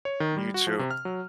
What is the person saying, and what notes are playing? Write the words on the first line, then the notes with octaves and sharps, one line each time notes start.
You too.
C#5
D#3
G3
F#4
F3
C3
F6
F#3